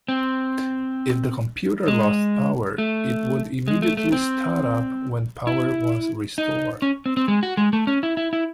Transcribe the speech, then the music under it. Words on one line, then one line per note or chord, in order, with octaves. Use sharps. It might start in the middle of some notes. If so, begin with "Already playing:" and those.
If the computer lost power, it would immediately start up when power was restored.
C4
G#3
A3
G#3
A3
A3
C4
E4
D#4
C#4
C4
C4
G#3
F#4
G#3
A3
C#4
E4
E4
E4